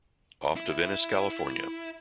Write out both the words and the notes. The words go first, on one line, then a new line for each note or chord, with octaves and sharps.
Off to Venice, California.
E4